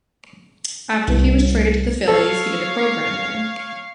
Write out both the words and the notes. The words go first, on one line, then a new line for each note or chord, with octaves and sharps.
After he was traded to the Phillies, he did a program there.
C2
A4 C#5 F5